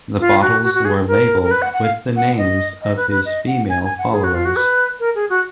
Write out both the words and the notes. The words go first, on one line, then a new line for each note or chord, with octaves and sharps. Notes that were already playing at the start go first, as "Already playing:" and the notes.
The bottles were labeled with the names of his female followers.
F4
F#4
F#4
F#4
G#4
A#4
A#4
B4
F#5
F#5
F5
F#5
D#5
D#5
B4
B4
D#5
F#5
G#5
G#5
F#5
G#4
F#4
F4
F#4
B4
A#4
G#4
F#4